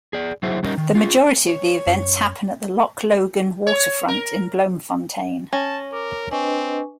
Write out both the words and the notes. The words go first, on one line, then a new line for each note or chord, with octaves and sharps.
The majority of the events happen at the Loch Logan Waterfront in Bloemfontein.
G#4 D5
F#3 E4 G#4 C5 E5
G3 C#4 D#4 A#4 D#5
D#3
F4 G#4
C#5
F#2
C#5
A#4
C#4 A5 A#6
A#4 D6
C4 D4 B4 D#5 G#5 C#6